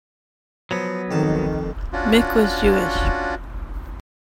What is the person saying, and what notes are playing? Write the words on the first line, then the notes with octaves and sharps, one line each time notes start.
Mick was Jewish.
F3 F#3 B3
F2 D#3 A5
C#4 D4 F4 F#4